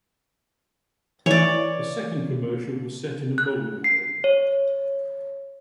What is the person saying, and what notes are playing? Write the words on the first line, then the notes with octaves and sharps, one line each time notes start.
A second commercial was set in a bowling alley.
E3 C#5 D5
F#6
C7
C#5